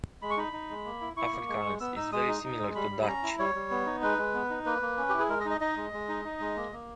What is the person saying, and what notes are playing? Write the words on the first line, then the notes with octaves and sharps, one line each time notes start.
Afrikaans is very similar to Dutch.
G#3 B5
C#6
D#4 B5
D#4
G#3
A#3
E4
E4 C#6
A#3
G#3
G#3
B3 E6
D#4 E6
G#3 D#6
D#4
D#4
G#3
G3 B5
G3
B5
C#4 A#5
E4
G3 C#5
G3
B3
D#4
G#3 B4
G#3
B3
D#4
A#3 B4
A#3
C#4
E4 G4
G#4
G#3 A#4
D#5
D#4
D#5
D#4 D#5
G#3
G#3
D#4
D#4
G#3
A#3
A#3